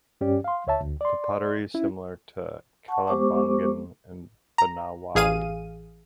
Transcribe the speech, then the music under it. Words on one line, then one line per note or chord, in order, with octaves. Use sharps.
The pottery is similar to Kalibangan and Banawali.
G2 C#4 G4 D5
F5 C6
C#2 C#5 E5 A5
D2
D5 C6
C#4 E4
F#5 A5 C#6
G#3 B3 G4 C5 C#6 D6
A#5
A1 G#4 F5 D#7